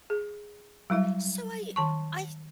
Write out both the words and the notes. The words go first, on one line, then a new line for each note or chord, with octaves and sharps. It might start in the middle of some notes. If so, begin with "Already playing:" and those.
so, I I
G#4
F#3 G3 E4 E5
D#3 A5 C#6